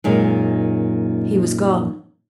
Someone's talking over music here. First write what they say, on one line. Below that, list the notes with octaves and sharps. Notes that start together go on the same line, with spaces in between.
He was gone.
F#2 A#2 D#3 G#3